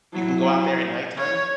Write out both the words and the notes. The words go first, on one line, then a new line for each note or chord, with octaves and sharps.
You can go out there at nighttime.
F#3 E4
C#5